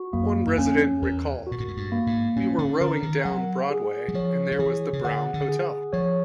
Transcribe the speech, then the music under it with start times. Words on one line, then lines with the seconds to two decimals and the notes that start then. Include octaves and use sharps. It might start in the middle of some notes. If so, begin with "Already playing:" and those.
One resident recalled: We were rowing down Broadway and there was The Brown Hotel.
Already playing: F#4
0.13 F#2 A#3
0.47 F#2
0.58 F2 C#4
1.02 E2 A#4
1.47 A#2 F#4
1.60 A2
1.68 G#2
1.77 G2
1.92 A#3
2.07 G#2
2.36 A2 C#4
2.58 D3
2.81 D3 A#4
3.03 D#3
3.25 F#3 F#5
3.71 G#4
4.08 F#3
4.14 F3 C#5
4.52 F3
4.59 E3 G#4
4.93 C#3
5.04 D3 F#5
5.34 D3
5.49 G#4
5.93 F3 C#5